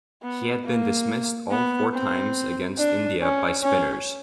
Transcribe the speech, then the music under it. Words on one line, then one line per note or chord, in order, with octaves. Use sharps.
He had been dismissed all four times against India by spinners.
B3
A#3
B3
C4
D4
C#4
C#4